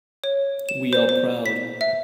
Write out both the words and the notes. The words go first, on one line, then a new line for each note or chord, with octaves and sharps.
We are proud.
C#5
E7
C5
C5
B6
E5